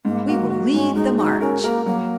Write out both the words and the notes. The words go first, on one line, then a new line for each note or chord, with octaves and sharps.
"We will lead the march."
G#2 A#3
A#3 F#4
A#3 F#4
G#2 C#4
G#3 D#4
D#4 F#4
C#4 A#4
A#3 A#4
F#3 A#3